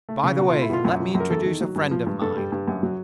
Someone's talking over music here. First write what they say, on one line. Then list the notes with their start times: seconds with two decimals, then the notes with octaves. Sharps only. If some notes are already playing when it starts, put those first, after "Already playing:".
By the way, let me introduce a friend of mine.
0.09 A3
0.23 C#3
0.39 B2 F#4
0.50 A3 F4
0.62 E4
0.70 B2 F4
0.85 F#2
1.00 F3
1.15 F#2
1.20 A#4
1.30 E2 A4
1.46 D#3
1.61 F#3
1.76 G2
1.91 F3
2.07 G2
2.22 G2 A4
2.37 G3
2.52 G2
2.68 F#2
2.83 F#3